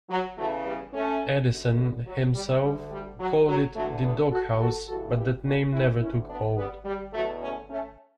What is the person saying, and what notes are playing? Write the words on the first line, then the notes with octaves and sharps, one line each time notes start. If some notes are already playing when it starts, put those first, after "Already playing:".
Edison himself called it "The Doghouse", but that name never took hold.
F#3
E2 C#3 E3 F#3 A3
G3 B3
A3 C#4
F#2 D3
G3 B3
F#3
G3
D2 D3 G3
G3
F#3
F#3
E2 D3 F#3 A3
G3 B3
F#4 A4
F#4 A4
G2 E3 F#4 A4
E4 G4
D4 F#4
C#4 E4
D2 D3 C#4 E4
B3 D4
G3 B3
G3
E2 B2 F#3 A3
A3 C#4
A3 C#4